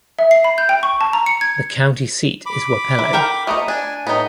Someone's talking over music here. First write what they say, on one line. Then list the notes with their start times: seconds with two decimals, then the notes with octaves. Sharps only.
The county seat is Wapello.
0.19 E5
0.31 C7
0.44 B5
0.58 G6
0.69 G5
0.83 C#6
1.01 A5
1.13 A#5
1.26 C#7
1.41 G#6
2.46 B5 D6
2.99 E4
3.13 A4 A#4 G5
3.47 A3 B3 D#5 A#5 D#6
3.68 D4 G#5
4.07 A2 B3 D#4 D#5